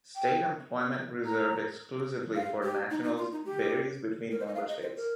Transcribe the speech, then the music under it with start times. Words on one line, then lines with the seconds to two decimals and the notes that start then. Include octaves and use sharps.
State employment reserved exclusively for nationals varies between member states.
0.16 G5
1.26 A#5
2.36 F5
2.63 G4
2.90 D#4
3.03 D#4
3.17 F4
3.31 D#4
3.46 G4
4.31 A#4
4.40 C5
4.47 D#5
4.55 F5
4.68 D#5
4.82 C5
4.96 A#4